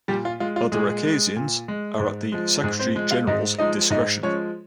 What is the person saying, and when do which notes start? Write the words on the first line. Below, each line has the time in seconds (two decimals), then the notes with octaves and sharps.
Other occasions are at the Secretary-General's discretion.
0.08 A#2 G3 G4
0.25 F4
0.40 G#3 F4
0.56 F4
0.72 A#2 G#3 G#4
1.05 G#3
1.36 A#2
1.68 G#3
2.00 G#2
2.32 F3 G#3
2.63 G#2 G#3 G#4
2.80 C4 C5
2.95 F3 G#3
3.11 F4 F5
3.27 G#2 D#4 D#5
3.58 F3 G#3 D#4 D#5
3.90 G#2 D#4 D#5
4.23 F3 G#3 C#4 C#5